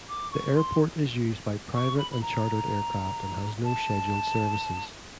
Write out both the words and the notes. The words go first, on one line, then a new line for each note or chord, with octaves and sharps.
The airport is used by private and chartered aircraft and has no scheduled services.
D6
C#6
C6
C#6
B5
B5
A#5
A5